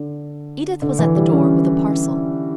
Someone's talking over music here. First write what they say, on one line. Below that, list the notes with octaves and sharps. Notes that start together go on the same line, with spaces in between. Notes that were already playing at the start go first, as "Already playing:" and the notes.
Edith was at the door-with a parcel.
Already playing: D3
D3
E3
G3
C#4